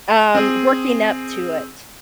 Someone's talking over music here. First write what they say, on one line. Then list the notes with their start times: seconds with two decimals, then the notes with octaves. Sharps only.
um, working up to it.
0.35 C4 G#4